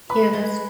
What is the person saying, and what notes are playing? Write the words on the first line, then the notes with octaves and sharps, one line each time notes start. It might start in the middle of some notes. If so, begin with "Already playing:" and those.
Yeah, that's
B4 B5
G#3